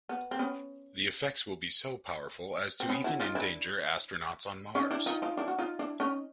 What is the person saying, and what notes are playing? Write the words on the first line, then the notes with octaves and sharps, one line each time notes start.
The effects will be so powerful as to even endanger astronauts on Mars.
B3
C4
B3 C#4
C4
B3 C#4
E4 F#4
D#4 F4
D4 E4
C#4 D#4
D4 E4
D#4 F4
D#4 F4
D4 E4
F#4
D#4 F4
D4 E4
C#4 D#4